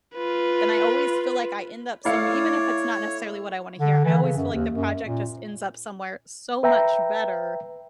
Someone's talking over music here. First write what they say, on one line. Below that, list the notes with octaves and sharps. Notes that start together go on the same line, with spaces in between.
then I always feel like I end up somewhe even if it's not necessarily what I wanna hear, I always feel like the project just ends up somewhere so much better,
F4 B4
A3 E4 C#5 D5 F5 C#7
D3
E3
C#3
F#2
D#2
F#2
A#2
B4 E5 G5 A#5